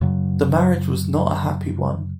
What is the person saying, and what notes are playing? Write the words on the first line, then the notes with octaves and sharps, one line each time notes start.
The marriage was not a happy one.
F#2 C#3 F#3